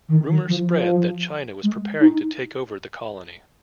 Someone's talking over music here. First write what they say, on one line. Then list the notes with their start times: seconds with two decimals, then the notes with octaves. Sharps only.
Rumors spread that China was preparing to take over the colony.
0.08 D#3
0.28 D#3
0.48 F3
0.66 F3
1.63 G#3
2.00 D#4